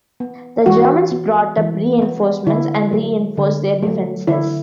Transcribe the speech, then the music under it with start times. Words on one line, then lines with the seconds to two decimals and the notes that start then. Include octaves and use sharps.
The Germans brought up reinforcements and reinforced their defences.
0.20 B3
0.66 E3 F#4
1.12 B3
1.57 E3
2.02 B3
2.47 D3 E4
2.92 F#3 A3
3.37 D3
3.83 F#3 A3
4.27 D3 E4